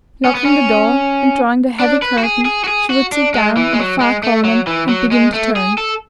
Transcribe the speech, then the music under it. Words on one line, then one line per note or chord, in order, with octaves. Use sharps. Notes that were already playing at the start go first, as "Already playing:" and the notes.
Locking the door and drawing the heavy curtain, she would sit down in the far corner and begin to turn.
C#4
B3
C#4
D4
B4
F#4
G#4
G#4
F#4
G#4
F#4
D4
G#3
E3
G#3
F#3
G#3
A3
F#3
E3
F#3
G#3
A3
G#4
A4